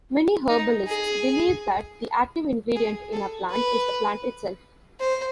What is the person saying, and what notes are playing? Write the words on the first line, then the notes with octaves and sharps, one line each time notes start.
Many herbalists believe that the active ingredient in a plant is the plant itself.
D#4
G#4
G#4
A4
B4
C5